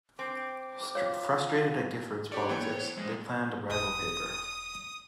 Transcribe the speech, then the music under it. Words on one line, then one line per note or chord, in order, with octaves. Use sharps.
Frustrated at Giffard's politics, they planned a rival paper.
C4 D6
F4 C#5
D4 G4 A4 C#5 D5
E3 A#3 B3 G5
C5
A#1 G#3
E1 D#6